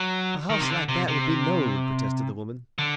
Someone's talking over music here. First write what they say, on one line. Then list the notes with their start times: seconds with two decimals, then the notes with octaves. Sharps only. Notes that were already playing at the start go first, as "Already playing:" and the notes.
"A hoss like that would be knowed," protested the woman.
Already playing: F#3
0.50 D#3
0.60 C3
0.69 D3
0.89 C3
1.08 C3
2.78 D3